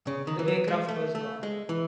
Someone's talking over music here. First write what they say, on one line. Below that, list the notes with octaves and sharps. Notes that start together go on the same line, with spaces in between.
The aircraft was gone.
C#3
D#3
E3
F#3
G#3
A3
A3
G#3
E3